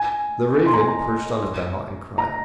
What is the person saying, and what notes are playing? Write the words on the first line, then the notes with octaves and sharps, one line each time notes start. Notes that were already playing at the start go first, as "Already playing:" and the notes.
The raven perched on a bough and cried.
Already playing: G#5
C6
A#5
G#5
A#5
A#5